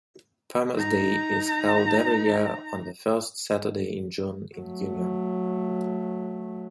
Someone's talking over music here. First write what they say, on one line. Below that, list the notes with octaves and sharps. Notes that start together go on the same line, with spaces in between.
Farmers' Day is held every year on the first Saturday in June in Union.
D#4 A#5
F#3 A3